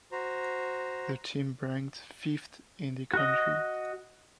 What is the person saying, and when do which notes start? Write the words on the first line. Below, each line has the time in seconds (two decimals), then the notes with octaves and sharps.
The team ranked fifth in the country.
0.12 F#4 C5 A#5
3.13 F#4 D#5